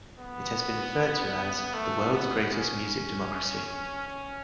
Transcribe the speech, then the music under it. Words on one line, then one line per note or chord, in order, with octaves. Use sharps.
It has been referred to as "the world's greatest music democracy".
B3
A3
B3
C#4
C#4